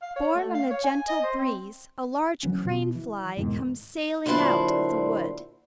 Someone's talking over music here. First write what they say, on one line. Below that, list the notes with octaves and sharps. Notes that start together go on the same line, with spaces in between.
Borne on a gentle breeze, a large crane-fly comes sailing out of the wood.
F5
C#5
A3
F5
C#5
G#5
D#5
C5
C4
E3 F#3 C#4
B2
E3
E2 G#2 B2 D#3
A#2 D3 F#3 E4 C5 A5